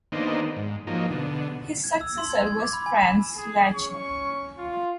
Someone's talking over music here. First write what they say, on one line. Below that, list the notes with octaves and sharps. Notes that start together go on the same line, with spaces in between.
His successor was Franz Lachner.
D#3 A#3 B3 D4 D#4 C5
G#2
F3 F#3 A#3 D#4
B2 D3
G#6
E6
C6
G#6
G#6
D6
B5
G#5
E7
G#4
C#4 C#6
F4